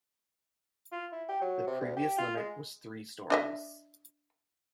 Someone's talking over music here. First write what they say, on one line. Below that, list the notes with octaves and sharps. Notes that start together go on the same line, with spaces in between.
The previous limit was three stories.
F4
E4
G4
F#3
C3
D2
G4
F4
G#3
D4 D#5 E5